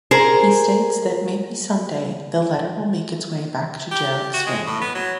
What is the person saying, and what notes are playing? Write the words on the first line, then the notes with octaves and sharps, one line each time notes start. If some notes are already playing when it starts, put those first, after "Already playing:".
He states that maybe someday, the letter will make its way to Jarok's family.
G#4 A#4 C5
G4
F#4
G#3
A2
B3
F#3